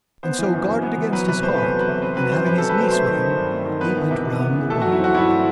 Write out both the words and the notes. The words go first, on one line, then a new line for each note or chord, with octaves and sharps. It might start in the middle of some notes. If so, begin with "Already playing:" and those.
And so, guarded against his heart and, having his niece with him, he went round the world....
B3 C5
E3
F#2
F#2
B3
E3
F#3 B4
C3 B4
A3 C5
E2 B4
F#3
B4
C3
C4 B4
F#3 B4
F#2 C5
F#2 B4
A4
C4
B4
F#3 C5
A3 C5
D#3
C4
G2
A3
D#3
B3 B4
E3
C3
C3
B3
E3
A3 A4
F#4
F#3
E4
C4 F#4
G2 E4
A3